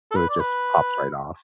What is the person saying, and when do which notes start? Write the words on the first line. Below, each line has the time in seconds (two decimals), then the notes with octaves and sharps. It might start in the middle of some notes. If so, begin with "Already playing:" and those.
So it just pops right off.
0.11 A4
0.16 B4
0.30 D5
0.40 B4